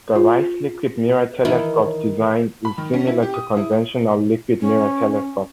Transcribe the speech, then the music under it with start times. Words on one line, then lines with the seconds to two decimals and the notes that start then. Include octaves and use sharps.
The Rice liquid mirror telescope design is similar to conventional liquid mirror telescopes.
0.16 F4
1.45 D#3 E3 D#4 E4
2.65 B5
2.78 D#3
2.94 C#4
3.07 E4
3.22 G4
3.34 D#6
3.57 E4
4.61 C#4